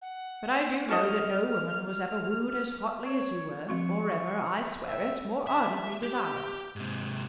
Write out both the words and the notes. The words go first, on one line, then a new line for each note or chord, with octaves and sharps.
But I do know that no woman was ever wooed as hotly as you were--or ever--I swear it--more ardently desired.
F#5
F#4 A4 D#5 F6
C#5
F3 C4 F#4 C#6
E5 G5
E5
G4
G#2 C3